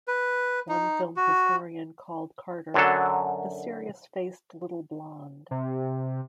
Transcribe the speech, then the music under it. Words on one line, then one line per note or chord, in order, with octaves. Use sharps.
One film historian called Carter "the serious faced little blonde".
B4
D#4
F#4
F#2 D3 F#3 A4
C3